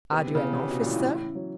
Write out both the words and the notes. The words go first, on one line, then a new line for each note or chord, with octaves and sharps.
"Are you an officer?"
C3 B3
E3
C#3
B3
C#3
C3 B3
B2
B3
A#2
A2 E3
C#3
C#3
F#3